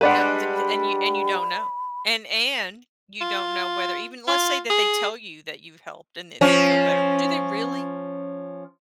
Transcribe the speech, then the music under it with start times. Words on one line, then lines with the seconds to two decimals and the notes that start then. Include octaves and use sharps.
No, th and you and you don't know, and and you don't know whether even let's say that they tell you that you've helped and that they feel better, do they really?
0.01 G3 G#3 D4 B4 D5 F#5
0.54 B5
3.21 F4
4.27 F4
4.70 G#4
6.41 F3 C#4